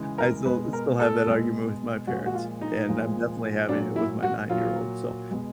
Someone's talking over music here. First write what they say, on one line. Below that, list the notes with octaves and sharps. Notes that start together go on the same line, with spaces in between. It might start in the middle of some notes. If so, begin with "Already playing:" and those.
I still still have that argument with my parents, and I'm definitely having it with my nine-year-old, so
Already playing: C#3 E3 G#3
A#4
B2 G#3 B4
A#4
A4
B2 G#3
A#2 F3 G#3 F#4
F#4
F4
D#4
A#2 F3 G#3
A#2 F#3 D4
E4
F#4
A#2 F#3 F4
B2 G#3